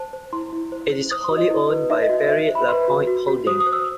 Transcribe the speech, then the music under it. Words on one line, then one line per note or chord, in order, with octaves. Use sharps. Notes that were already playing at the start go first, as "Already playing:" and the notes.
It is wholly owned by Barry Lapointe Holding.
Already playing: C5 A5
C5
E4 C6
E4
C5
C5
C5 D#6
C6
F#4
D#5
E4
B4
D#4 E5
D#5
F#4
C5 E5
C5
B5
B4 C6
F#4
F#4
F#4
C5 D#6
D#6
C5
E6